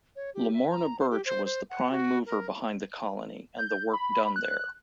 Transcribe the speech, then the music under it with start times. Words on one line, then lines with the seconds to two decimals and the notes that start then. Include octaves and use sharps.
Lamorna Birch was the prime mover behind the colony and the work done there.
0.16 C#5
0.34 G4
0.53 E5
0.70 A#5
0.99 C5
1.10 G4
1.25 C5
1.45 C5
1.70 F#5
1.91 F#4
2.26 A#4
3.59 G6
3.94 B5
4.36 F#6